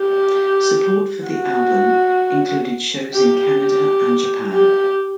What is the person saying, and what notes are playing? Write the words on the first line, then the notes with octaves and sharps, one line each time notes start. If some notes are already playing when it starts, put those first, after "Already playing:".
Support for the album included shows in Canada and Japan.
Already playing: G4
F#4
G4
G4
G4